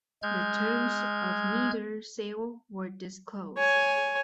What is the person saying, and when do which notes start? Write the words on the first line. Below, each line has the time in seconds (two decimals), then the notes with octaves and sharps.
The terms of neither sale were disclosed.
0.23 G#3 F6 G6 G#6
3.57 C#5 G#5